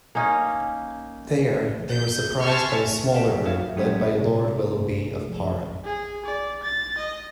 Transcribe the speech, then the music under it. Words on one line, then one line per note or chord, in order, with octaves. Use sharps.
There, they were surprised by a smaller group led by Lord Willoughby of Parham.
A#3 C#4 D#4
G6
C5 E5 G#5 A5 C#6 F6
G4 A4 F5
F#2 C#3 G3
D#4 C#5 E5 F5
F#3 G#3 A3 B3 C#4 G4
C3
G#3
A3
G#4
F3
G#4
D5
A6
D#5